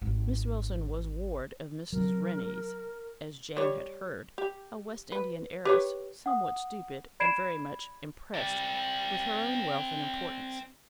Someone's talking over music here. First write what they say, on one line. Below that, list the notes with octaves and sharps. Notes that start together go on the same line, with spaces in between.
Miss Wilson was ward of Mrs. Rennie's, as Jane had heard, a West Indian heiress, somewhat stupid, and very much impressed with her own wealth and importance.
G#1 D#2
C3 F#3 A#4
G3 C#5
G4
B4
G4 B4 C#5
F#5 D#6
D5 B5 G#6 C7 D7 E7
C4 D5